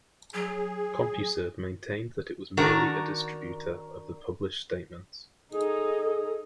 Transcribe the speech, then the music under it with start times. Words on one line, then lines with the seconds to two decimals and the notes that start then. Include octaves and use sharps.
CompuServe maintained that it was merely a distributor of the published statements.
0.34 F#3 G#4
2.57 D#3 D4 F#4 A#4
5.52 D#4 G#4 A4 D#5